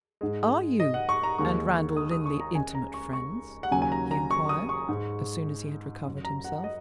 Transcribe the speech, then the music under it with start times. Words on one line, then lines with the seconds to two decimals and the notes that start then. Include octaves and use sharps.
"Are you and Randal Linley intimate friends?" he inquired, as soon as he had recovered himself.
0.21 G#2 G#3
0.80 D#5
0.94 F#5
1.09 C#6
1.24 A#5
1.38 D#2 D#3 G#3 C#6
1.97 D#6
2.11 D#6
2.26 C#6
2.40 A#5
2.55 C#2 C#3 G#3 G#5
2.75 A#5
2.94 C#6
3.13 C#6
3.63 F#5
3.71 D#2 C#3 F#3 G#5
3.82 G#5
3.92 A#5
4.11 A#5
4.31 C#6
4.49 D#6
4.69 C#6
4.89 G#2 G#3
6.06 F#2 F#3
6.25 A#5
6.45 F#5
6.64 D#5